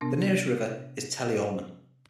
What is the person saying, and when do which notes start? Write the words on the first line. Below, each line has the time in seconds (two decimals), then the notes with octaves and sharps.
The nearest river is Teleorman.
0.01 C3 B3 D4